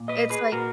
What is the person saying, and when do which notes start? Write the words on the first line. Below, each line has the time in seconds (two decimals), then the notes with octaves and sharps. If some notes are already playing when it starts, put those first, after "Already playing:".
It's like
Already playing: A#2
0.08 B4 D#5
0.30 G#4 B4
0.52 A#2 F#4 A#4